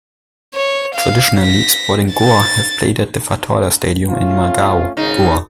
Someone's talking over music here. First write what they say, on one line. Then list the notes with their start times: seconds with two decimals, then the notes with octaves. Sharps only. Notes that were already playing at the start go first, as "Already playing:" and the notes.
Traditionally, Sporting Goa have played at the Fatorda Stadium in Margao, Goa.
0.54 C#5
0.95 F5
1.40 A#6 B6
2.13 A6
4.09 A3 C#4 F4
4.97 G#1 C#3 D#4